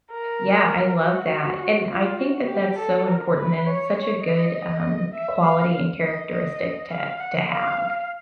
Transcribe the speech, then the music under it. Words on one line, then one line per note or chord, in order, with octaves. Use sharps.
Yeah, I love that, and I think that that's so important and it's such a good, um, quality and characteristic to to have.
A#4
F#4
F4
F#4
G4
A4
A#4
B4
C#5
C#5
D#5
E5
F5
D#5
D#5
F5
F#5
F5